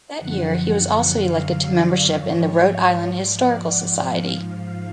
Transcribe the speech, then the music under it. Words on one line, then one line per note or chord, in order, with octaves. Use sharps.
That year he was also elected to membership in the Rhode Island Historical Society.
F#2 D3 F3 F#5
F#5
F#2 D3 F#3 F5
D5
G#2 F3 C#5
C#5
G#2 F3 D5
F#5
G#2 F3 F5